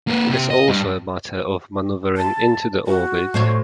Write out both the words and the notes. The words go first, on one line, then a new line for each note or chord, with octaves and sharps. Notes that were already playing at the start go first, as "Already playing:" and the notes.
It is also a matter of maneuvering into the orbit.
A#3 B4
C3 G4
D#5
G2
A5
F#4
A2 C5 C#5